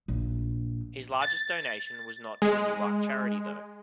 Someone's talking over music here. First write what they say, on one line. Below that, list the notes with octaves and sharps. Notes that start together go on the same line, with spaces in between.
His largest donation was not to a Newark charity though.
A#1
A6
G#3